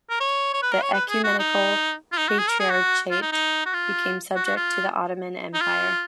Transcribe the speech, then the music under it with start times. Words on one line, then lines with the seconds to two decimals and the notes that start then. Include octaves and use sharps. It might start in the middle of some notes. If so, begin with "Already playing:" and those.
The Ecumenical Patriarchate became subject to the Ottoman Empire.
0.10 A#4
0.20 C#5
0.54 C#5
0.62 B4
0.72 A#4
0.82 C#5
0.93 B4
1.09 G#4
1.24 F#4
1.39 D#4
2.12 F4
2.18 D#4
2.28 F#4
2.39 G#4
2.48 A#4
2.60 G#4
2.70 F#4
3.11 F4
3.22 D#4
3.32 D#4
3.66 F#4
3.74 F4
4.35 F#4
4.46 F#4
4.57 F4
5.54 D#4
5.61 F4